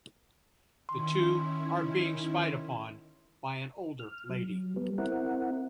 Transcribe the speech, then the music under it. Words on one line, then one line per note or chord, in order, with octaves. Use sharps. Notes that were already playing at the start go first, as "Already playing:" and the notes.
The two are being spied upon by an older lady.
D#3 C#4 E4 C6
F6
F#3
G3 B3
C4 E4 A#4 F#5